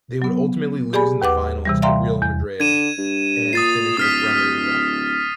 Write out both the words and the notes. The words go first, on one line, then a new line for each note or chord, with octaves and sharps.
They would ultimately lose in the finals to Real Madrid, and finish as runners-up.
F#3 B3
G4 G#4 D5 G#5 B5
D#2 B4 F#5 D6
C3 E3 G3
D5 E5 F5 G5 A#5 C6
E2
D3 G#6 D#7 E7
G2
A#2 D#6 A6 C7
D1 D#6 F6 B6